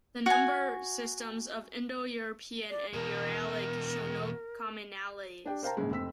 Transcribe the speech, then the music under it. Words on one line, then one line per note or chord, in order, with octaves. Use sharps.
The number systems of Indo-European and Uralic show no commonalities.
F#4 G#5
D5
E2 B2 A#4
D4 G4 G5
A#4 C5 F5 G5 A5 A#5
A#1 G#2 C#3 G#3
F1 C4 E6 B6